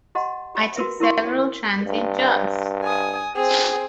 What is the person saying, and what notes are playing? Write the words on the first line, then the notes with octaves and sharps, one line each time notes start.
I took several transient jobs.
G4 D#5 F#5 A#5 C6
G4 B5
F#4 A#4 B4 E5
E4 A#4 C6 C#6
G2
G#5 D#6
C4 G#4